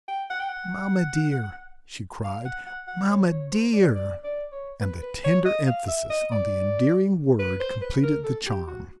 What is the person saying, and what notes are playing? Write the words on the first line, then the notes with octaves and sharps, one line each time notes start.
"Mama dear!" she cried, "mama dear!" and the tender emphasis on the endearing word completed the charm.
G5
F#5
G5
F#5
F5
F#5
F#5
F#5
C#5
C#5
C5
D5
D5
D5
C#5
B4
B4
C#5
D#5
F5
E5
D#5
D5
B4
C5
B4
A#4
A4
G4
F#4